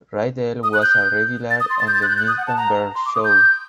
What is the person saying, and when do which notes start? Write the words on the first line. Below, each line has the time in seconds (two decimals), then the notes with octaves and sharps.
Rydell was a regular on The Milton Berle Show.
0.63 D#6
0.73 F#6
0.82 G6
1.50 A6
1.60 D#6
1.70 C6
1.80 A6
1.88 G6
1.94 A6
2.03 F#6
2.08 G6
2.18 F#6
2.28 D#6
2.38 F#5
2.47 A5
2.57 A#5
2.95 C6
3.06 D6
3.15 D#6
3.24 G6